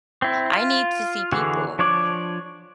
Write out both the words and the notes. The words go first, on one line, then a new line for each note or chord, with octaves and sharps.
I need to see people.
C4 E4
F4
D3 E3 F#4 G#4
F3 D4 C#5 D5